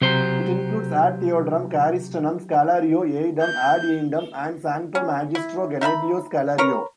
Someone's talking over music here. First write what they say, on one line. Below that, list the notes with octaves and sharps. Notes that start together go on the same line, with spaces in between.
It includes "Ad Theodorum Carystenum", "Scholario," "Eidem", "Ad eundem" and "Sancto magistro Gennadio Scholario".
C3 F#3 G4 C5 A#5
G6
C#4
E4
D#4 E5 F5 B5
A#4 B4 C#5 A#5